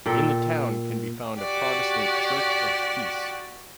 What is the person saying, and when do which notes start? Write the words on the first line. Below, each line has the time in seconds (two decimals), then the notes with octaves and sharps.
In the town can be found a Protestant Church of Peace.
0.06 A#2 A4 G5
1.38 F#4 G4 D5